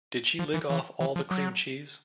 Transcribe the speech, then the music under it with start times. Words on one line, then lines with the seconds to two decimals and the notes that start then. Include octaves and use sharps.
Did she lick off all the cream cheese?
0.39 F3
0.54 E3
0.70 E3
1.01 E3
1.16 F3
1.31 F#3